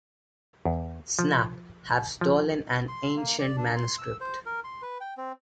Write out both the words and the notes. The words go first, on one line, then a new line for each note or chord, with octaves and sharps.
Snap, have stolen an ancient manuscript.
E2
F3
F3
C6
A#3
D5
D4
C6
E6
C5
A#4
C6
B4
G5
C4